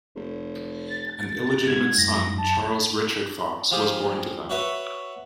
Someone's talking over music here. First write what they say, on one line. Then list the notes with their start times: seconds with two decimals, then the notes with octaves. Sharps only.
An illegitimate son, Charles Richard Fox, was born to them.
0.16 F1
0.88 A6
1.67 G#2 G#6
1.98 F#2 A#6
2.38 A5
3.71 F3 F4 G4 G#4
4.50 F#4 B4 C#5 E5